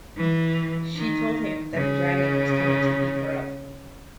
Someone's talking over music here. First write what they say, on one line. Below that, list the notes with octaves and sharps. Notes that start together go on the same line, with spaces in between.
She told him that the dragon was coming to eat her up.
E3
D#3
C#3